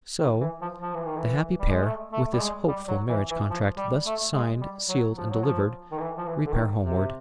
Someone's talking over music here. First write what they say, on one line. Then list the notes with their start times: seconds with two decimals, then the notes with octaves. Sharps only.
So, the happy pair, with this hopeful marriage contract thus signed, sealed, and delivered, repair homeward.
0.20 D#3
0.41 E3
0.62 F3
0.82 F3
0.94 E3
1.05 D#3
1.17 E3
1.58 G3
1.72 G#3
1.85 A3
2.12 A3
2.33 G3
2.40 G#3
2.68 G3
2.88 F#3
3.09 E3
3.31 E3
3.50 F3
3.78 G3
4.06 A3
4.33 G#3
4.61 G3
4.89 F#3
5.16 F3
5.30 F#3
5.44 F3
5.92 D#3
5.99 E3
6.18 F3
6.27 E3
6.46 D3
6.54 D#3
6.82 C3